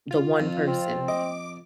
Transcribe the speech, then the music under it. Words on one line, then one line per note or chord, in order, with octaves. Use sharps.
the one person.
F4
F2
C4
D#5 D6